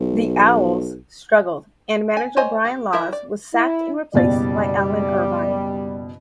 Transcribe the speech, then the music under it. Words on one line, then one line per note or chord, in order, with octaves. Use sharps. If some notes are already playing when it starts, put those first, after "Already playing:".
The "Owls" struggled, and manager Brian Laws was sacked and replaced by Alan Irvine.
B1
G#5
C5 C#5 D#5 G#5
G4
F3 E4 A#4 D#5 E5
D5
E4
F#1 B2 G3 D5 A6